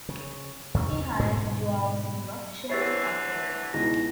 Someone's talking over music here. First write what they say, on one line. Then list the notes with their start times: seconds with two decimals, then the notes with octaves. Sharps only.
He hired Joao Silva shortly afterwards.
0.09 C#3
0.74 E2 C3 A#3 C#4
1.19 G#2 B2 D3 A3
2.70 D3 E3 G4 C5 C#5 E6 A6 C7
3.73 C#2 B2 D#4 E4 A#6